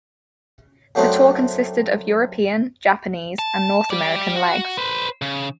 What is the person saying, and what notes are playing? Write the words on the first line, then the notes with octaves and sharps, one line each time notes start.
The tour consisted of European, Japanese and North American legs.
F#2 F#3 A3 C4 D4 D#4
A5
G4 D5
F#4
B4 C5
C#3